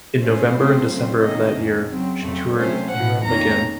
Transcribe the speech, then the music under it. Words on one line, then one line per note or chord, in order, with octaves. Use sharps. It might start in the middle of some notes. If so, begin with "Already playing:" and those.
In November and December of that year, she toured Europe again.
A2 A3 C#4 C5
C#3 F3 A3 C4
C#3 F#3 A3 C4
C3 D#3 A#3 C#4 D#5
F2 D#3 A#3 C#4
C#3 F#3 C4
F2 C#3 F#3 A3 C4
C3 F#3 A3 C#4 C5
A2 F3 A3 F#5
F2 D#3 A#3 C#4 A#5